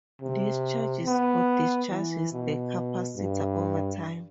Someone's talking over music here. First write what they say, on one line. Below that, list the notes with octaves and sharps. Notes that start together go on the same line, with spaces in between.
This charges or discharges the capacitor over time.
C3
B3
E3
B2
G2